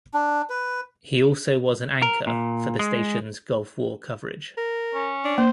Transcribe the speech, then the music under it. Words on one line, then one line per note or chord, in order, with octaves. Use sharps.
He also was an anchor for the station's Gulf War coverage.
D4
B4
A#4
A#2
G#3
A#4
C#4
D4
A#3 C5